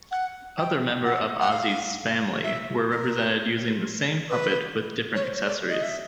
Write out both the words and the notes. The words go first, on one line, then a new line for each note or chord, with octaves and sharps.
Other members of Ossie's family were represented using the same puppet with different accessories.
F#5
G5
F#5
F#5
F5
E5
A#4
B4
C#5
C5
C#5
D5
D#5
E5